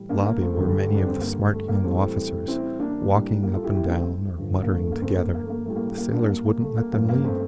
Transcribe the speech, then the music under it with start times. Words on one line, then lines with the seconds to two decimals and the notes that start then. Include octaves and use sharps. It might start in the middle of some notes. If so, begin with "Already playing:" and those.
In the lobby were many of the smart young officers, walking up and down or muttering together; the sailors wouldn't let them leave....
Already playing: A2 E3 G3
0.09 A#3 D4
0.25 A#3
0.41 A3 C4
0.57 G2 D3 G3 A3
0.95 D4
1.08 C4
1.20 A#3
1.52 A3
1.68 A#3
1.84 A2 E3 G3 A3 C4
2.48 C4 E4
2.80 A#3 D4
3.11 A2 G3
3.43 A#3
3.53 F4 A4
3.64 E4 G4
3.75 E4 G4
3.84 A#3
3.90 A3 C4
4.38 G2 D3 F3
4.63 A#3
4.70 A3
4.81 A3
4.92 A#3
5.02 A3 C4
5.18 A#3
5.34 A#3
5.43 A3
5.50 A#3
5.65 A2 G3 A3
5.76 A#3
5.87 A3
5.97 A#3
6.13 A#3 D4
6.29 A#3
6.45 A#3
6.61 A3
6.77 A#3
6.93 G2 F3 A#3
7.09 A#3
7.24 A3 C4